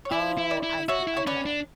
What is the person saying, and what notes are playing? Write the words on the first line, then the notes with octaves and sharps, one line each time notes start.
Oh, I see, okay.
C#5
E4 B4 D5
E4
B4 D5
E4
F#4 C#5 E5
E4
C#5
C#4 B4 D5
D4